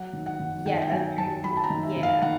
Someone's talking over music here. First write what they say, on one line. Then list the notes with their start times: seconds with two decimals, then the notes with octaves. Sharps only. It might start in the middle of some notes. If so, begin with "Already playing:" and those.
Yeah, that's crazy. Yeah.
Already playing: F#3 F#5
0.13 D#3
0.26 F#5
0.39 D#3
0.66 D#3 G5
0.82 G5
0.92 F#3 G#5
1.18 F#3 A5
1.44 F#3 B5
1.57 A5
1.64 A#5
1.70 D#3
1.83 E5
1.96 D#3
2.03 F5
2.22 D#3 F#5